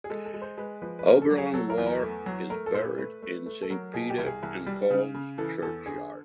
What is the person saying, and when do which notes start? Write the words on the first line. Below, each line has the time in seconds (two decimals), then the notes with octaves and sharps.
Auberon Waugh is buried in Saint Peter and Paul's churchyard.
0.04 G#4
0.10 G#3 A4
0.25 A4
0.34 G#3
0.42 C5
0.57 G#3 B4
0.82 F3 B4
0.99 B4
1.06 A3 A#4
1.22 A4
1.30 F#3
1.38 G#4
1.54 F#3 A4
1.70 A#4
1.78 E2
1.87 A#4
2.02 A3
2.26 F#3
2.50 A3 A#4
2.66 A4
2.74 A#2 C5
2.82 B4
2.97 A3 B4
3.22 A3
3.46 A3
3.62 A4
3.70 F#3 A#4
3.94 B2 G#4
4.10 G4
4.18 C2
4.26 G#4
4.43 C2
4.66 G3
4.90 C#3
5.14 C#3
5.38 E3 A4
5.62 E2 A4
5.86 D3 G#4